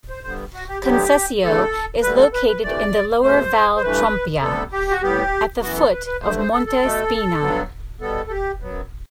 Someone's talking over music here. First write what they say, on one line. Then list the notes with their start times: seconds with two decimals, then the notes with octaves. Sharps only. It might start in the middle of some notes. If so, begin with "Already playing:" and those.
Concesio is located in the lower Val Trompia, at the foot of Monte Spina.
0.09 C5
0.23 G2 D3 G3 B3 C5
0.54 F#4
0.68 G4
0.84 D2 D3 F#3 B3 G4
1.43 E2 D3 A3 A4
2.03 D2 D3 G3 B4
2.18 A4
2.33 B4
2.48 B4
2.63 D2 C3 E3 A3 D5
3.23 E2 B2 A3 C5
3.76 C5
3.83 G2 E3 A3 B4
4.42 D2 C3 G3 B3 A4
4.72 G4
4.91 F#4
5.02 A2 G3 B3 G4
5.61 F#2 E3 B3 F#4
5.76 A4
5.92 B4
6.06 B4
6.21 G2 D3 A3 C5
6.37 C5
6.52 A4
6.66 A4
6.81 B2 A3
7.41 G2 D3 F#3 B3
8.01 B2 G3 B3 A4
8.27 A4
8.31 G4
8.60 F#2 F#3 B3